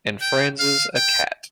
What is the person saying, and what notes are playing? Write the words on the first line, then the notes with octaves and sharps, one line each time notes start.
And Franz's a cat.
G5
F5
G5